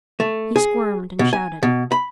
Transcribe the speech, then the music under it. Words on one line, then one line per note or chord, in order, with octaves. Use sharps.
He squirmed and shouted.
A3
G#4
B2
G#5
B2
B5